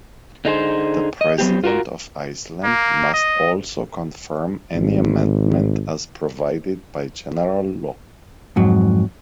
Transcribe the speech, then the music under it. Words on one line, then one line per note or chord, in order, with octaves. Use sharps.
The president of Iceland must also confirm any amendment as provided by general law.
D3 D#4 G#4 C5
D#5
F#3 B3 C4 G4
F4 F#4 A#4
A#3
D#5
G#1
F2 G#2 F#3